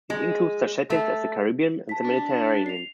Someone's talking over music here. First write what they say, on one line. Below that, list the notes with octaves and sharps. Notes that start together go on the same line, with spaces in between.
It includes such settings as the Caribbean and the Mediterranean.
G#3
A3
A5 B6
D4
C7 F7